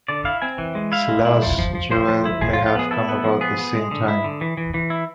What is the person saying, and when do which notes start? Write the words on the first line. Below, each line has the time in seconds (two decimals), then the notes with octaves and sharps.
Silas Jewell may have come about the same time.
0.08 D3 D5
0.25 E4 F5
0.42 C4 G#5
0.58 E3
0.75 G#3
0.92 E4 F5
1.08 G#3
1.25 E4
1.42 F3
1.59 F3
1.75 F3
1.91 F3 C5
2.08 F3
2.25 E4
2.41 F3 G#4
2.54 F4
2.59 F3
2.66 F4
2.75 B3 G#4
2.91 E4 A4
3.09 B3
3.24 F3
3.41 B3 G#4
3.58 B3
3.75 G#3
3.91 D3
4.08 E4
4.24 D3
4.41 E3
4.57 E3
4.74 E3
4.90 E4